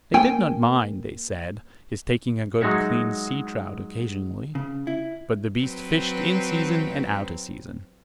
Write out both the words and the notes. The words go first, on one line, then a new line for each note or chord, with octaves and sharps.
They did not mind, they said, his taking a good clean sea-trout occasionally; but the beast fished in season and out of season.
A#3 G5 G#5
F#3 G#3 D#4 F#4 C#5 E5
C#3
E4
F#3 C4 B4